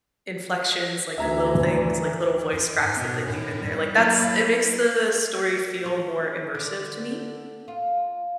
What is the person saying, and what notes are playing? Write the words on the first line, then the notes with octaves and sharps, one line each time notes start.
inflections, like the little things, like little voice cracks that they leave in there. Like, that's it makes the story feel more immersive to me.
D2 E3 E5 A#5 G#6
F#2
G#2 G#5
B2 B3
F#2 A2
G3
F#3 A#3 E4
C#4
D3
F4